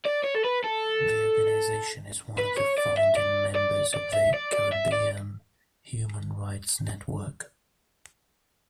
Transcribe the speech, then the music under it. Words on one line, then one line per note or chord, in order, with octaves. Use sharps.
The organization is one of the founding members of the Caribbean Human Rights Network.
D5
C#5
A4
B4
A4
B4
C#5
D5
E5
D5
D5
D5
E5
D5
D5
E5
D5